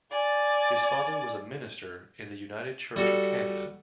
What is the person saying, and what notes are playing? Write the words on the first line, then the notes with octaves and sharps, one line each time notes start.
His father was a minister in the United Church of Canada.
D5 G#5
G3 F#4 A4